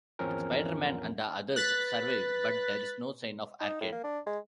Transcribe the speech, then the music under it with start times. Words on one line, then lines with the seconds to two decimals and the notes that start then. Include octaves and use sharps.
Spider-Man and the others survive but there is no sign of Arcade.
0.19 G#1 E2 F3 C4 C#4 A#4
1.56 B4 F#6 A6 B6
3.60 D#4
3.81 A2
3.92 A#3
4.04 D4
4.26 G#3